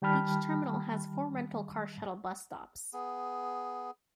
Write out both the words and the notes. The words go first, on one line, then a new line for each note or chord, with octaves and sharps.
Each terminal has four rental car shuttle bus stops.
D#3 G3 G5 A5 B5 F6
B3 G#4